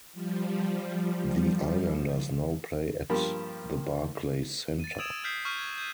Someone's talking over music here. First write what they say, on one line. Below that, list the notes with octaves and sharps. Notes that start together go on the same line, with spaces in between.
The Islanders now play at the Barclays Center.
F3 G3
G2 F3 A#3 G4 A#4 B5
A6 D#7
D#6 E6 G#6 D7 E7 F7
D#6 F6 G6 B6 C7 F7
C#6 F6 G6 D#7 F7
G#6
G6 D#7